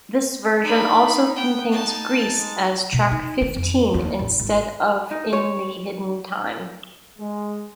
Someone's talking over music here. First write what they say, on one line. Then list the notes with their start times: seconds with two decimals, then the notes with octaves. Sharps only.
This version also contains "Grease" as track fifteen, instead of in the hidden time.
0.64 D4 D#4 B5
1.36 B3 G5
1.72 D#4 A5
2.37 G#3
2.93 B2
3.12 D#4
3.42 D#3
3.56 F2
3.94 D#2
4.19 A1
4.39 G#1
5.11 D#4
5.33 C#5
7.19 G#3